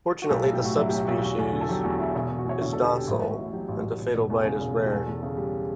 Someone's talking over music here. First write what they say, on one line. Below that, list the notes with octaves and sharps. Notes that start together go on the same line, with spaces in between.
Fortunately the subspecies is docile and a fatal bite is rare.
F#4
B1 G4
A4
B1
G4
A2 F#4
F#3 E4
B1 G4
F#4
B1
G4
E2 F#4
E2
D3
A4
F#3 G4
E2 F#4
E2 E4
E1 E4
F#4
E1
F#4
E2 C#5
D3 C#5
A4
E1
G4
E1 F#4
A1 E4
A1 E4
F#4
A2
F#3 G4
A1
A1
E1
E1
E2
C#3
E1
E1
G4
E2 A4
E2
C#3
G3